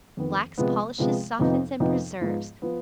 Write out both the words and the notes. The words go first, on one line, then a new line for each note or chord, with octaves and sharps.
Blacks, polishes, softens and preserves.
F2 D#3 B3
C3 F3 G#3 B3
C3 F3 G#3 B3
F2 C3 F3 B3 D#4
F2 C3 F3 B3 D#4
G#2 F3 B3
F3 B3